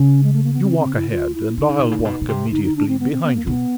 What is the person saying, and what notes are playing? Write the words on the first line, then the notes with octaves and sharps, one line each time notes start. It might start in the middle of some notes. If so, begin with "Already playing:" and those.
You walk ahead and I'll walk immediately behind you!
Already playing: C#3 C#4
G#3
A3
A#3
B3
C4
C4
E4
F4
E4
D3 D#4
C#3
C3
C#3
A#2
B2
B2
C3
D3 D#4
D#4
D4
C4
B3
C4
B3
A#3
B2 B3